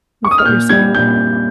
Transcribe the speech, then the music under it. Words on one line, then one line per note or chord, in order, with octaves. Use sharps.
with what you're saying.
C#6
D#6
F6
A#2 G6
G3 G#6
A#2 G6